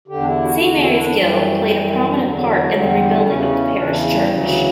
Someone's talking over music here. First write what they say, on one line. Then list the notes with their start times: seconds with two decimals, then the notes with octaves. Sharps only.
Saint Mary's Guild played a prominent part in the rebuilding of the parish church.
0.08 E2 D3 G4
0.21 D4
0.25 E4
0.43 F#4
0.60 E2 D3 F#4
0.78 E4
0.96 D4
1.13 F#2 E3 G3
1.65 F#2 E3
2.07 G3
2.18 E2 D3 F#3
2.70 E2 D3 G3
3.23 E2 C#3 E3 C#4
3.76 E2 C#3 E3 D4
4.11 G3
4.28 D2 C#3 E3 F#3